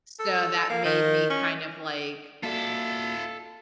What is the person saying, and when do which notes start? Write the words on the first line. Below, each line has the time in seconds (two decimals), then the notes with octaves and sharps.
So, that made me, kind of, like,
0.20 A4
0.70 A#3
0.85 D#3
1.30 C#4
2.43 A#3 F4 F#4 A4 D5 E5